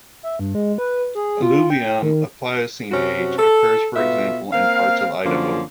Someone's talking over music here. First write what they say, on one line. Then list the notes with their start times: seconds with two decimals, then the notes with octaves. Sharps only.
Alluvium of Pliocene age occurs, for example, in parts of Idaho.
0.23 E5
0.39 G2
0.55 G#3
0.78 B4
1.15 G#4
1.42 F4
1.70 G5
2.02 D#3
2.91 F#2 C3 C#4 F#4
3.38 A4
3.96 B2 B3 F4 A4 E5
4.53 A#3 C4 F5
5.25 F#2 D3 F3 A#3 C#4